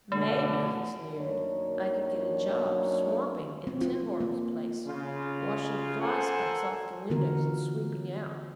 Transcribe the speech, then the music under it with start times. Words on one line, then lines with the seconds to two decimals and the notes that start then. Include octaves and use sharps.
"Maybe," he sneered, "I could get a job swamping in 'Tinhorn's' place--washing fly specks off the windows and sweeping out."
0.12 F#2 B2 D3 A3
1.16 F#2 F#3 A#3 D4 D#4 C#5
3.67 C4
3.81 F4
4.20 A#3
4.87 C#3 F4
6.01 A4 A#4 C5 F#5 G#5
7.10 D3 E3 B3 F4 F#4 A#4